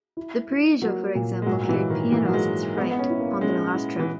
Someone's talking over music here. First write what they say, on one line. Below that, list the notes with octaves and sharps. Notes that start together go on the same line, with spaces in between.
The "Prussia", for example, carried pianos as freight on their last trip.
E4
E4
F#3 A#3
A#2
G#3
G#2 F#3
F#3
E3
G#2
D#3
E3 A#3
F#3
G#3
E4
G#3 B3
B3
C#4
E4
A#3
G#3 C#4
E4
E3